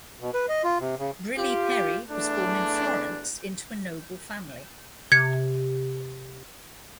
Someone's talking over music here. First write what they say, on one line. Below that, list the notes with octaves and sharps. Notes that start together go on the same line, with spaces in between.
Brilli-Peri was born in Florence into a noble family.
B2
B4
D#5
F4
C3
C#3
F4 G4
E2 A3 D4
C3 G#6 C#7